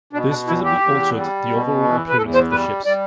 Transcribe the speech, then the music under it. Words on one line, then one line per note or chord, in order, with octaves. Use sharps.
This visibly altered the overall appearance of the ships.
B2 D4
D4
E2 E4
G4
E2
G3
B2
E2
B4
E2 A4
C5
G3 B4
G3 D5